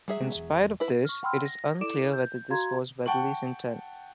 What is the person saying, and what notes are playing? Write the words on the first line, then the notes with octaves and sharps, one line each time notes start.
In spite of this, it is unclear whether this was Weatherly's intent.
F#3 G3 G#4 E5
G#3 B3 C#4
E1
E4 B4
C#6 F6
F#5 G5 B5 C6 E6 F6
A#6
E4 A4 D5 D6 D7 E7
G6
F#4 F5 A#5 C6 G#6
F#5 G5 A5 C#6 F#7